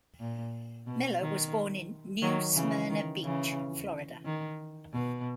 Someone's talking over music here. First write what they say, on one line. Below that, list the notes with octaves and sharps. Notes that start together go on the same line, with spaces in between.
Miller was born in New Smyrna Beach, Florida.
A#2
B2
D#3
D#3 F#3
C#3 E3
D#3
C#3 E3
D#3
B2